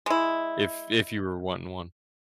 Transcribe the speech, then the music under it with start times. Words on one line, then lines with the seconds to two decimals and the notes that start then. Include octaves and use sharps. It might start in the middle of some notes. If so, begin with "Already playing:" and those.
if if you were wanting one.
0.06 G#3 E4